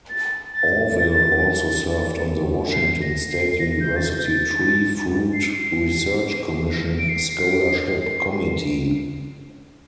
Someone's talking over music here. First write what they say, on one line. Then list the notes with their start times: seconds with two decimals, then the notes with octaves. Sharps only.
Auvil also served on the Washington State University Tree Fruit Research Commission Scholarship Committee.
0.09 A6
0.53 A6
2.72 C7
3.01 A#6
3.30 C7
3.48 C7
3.59 A#6
3.80 G6
3.96 A6
4.03 G6
4.25 A6
5.34 C7
6.99 D7
7.09 C7